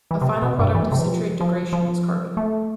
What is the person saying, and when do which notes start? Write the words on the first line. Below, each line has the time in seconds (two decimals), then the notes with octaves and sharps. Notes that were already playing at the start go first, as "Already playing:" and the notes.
A final product of citrate degradation is carbon.
0.11 E3
0.22 C3
0.42 B2
0.59 G2
0.75 E3
0.83 A3
0.92 C3
0.99 E3
1.08 F3
1.41 F3
1.73 F3
2.37 A3